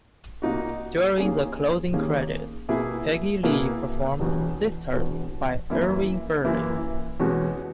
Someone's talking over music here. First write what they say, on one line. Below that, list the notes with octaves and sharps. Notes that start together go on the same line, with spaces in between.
During the closing credits, Peggy Lee performs "Sisters" by Irving Berlin.
A#2 A#3 D#4 F#4
D#2 D#3 A#3 C#4 G#4
D#2 D#3 A#3 C#4 G#4
B2 A#3 E4 G#4
B2 A#3 E4 G#4
E1 E2 B2
E1 E2 B2
F#2 E3 A#3 E4
F#2 E3 A#3 E4
E2 B2 G#3 C#4 F#4